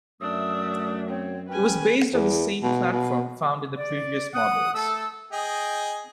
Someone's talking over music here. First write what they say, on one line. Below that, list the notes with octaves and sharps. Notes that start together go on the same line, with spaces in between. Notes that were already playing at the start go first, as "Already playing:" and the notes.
It was based on the same platform found in the previous models.
F#2 A3 D4 E5 D#6 E6
C4 C#5 G5
C#4 B4 G5 G#5
E2
B2
B2
D5
F#5 D#6
A3 A4 E6
G#4 D#5 G5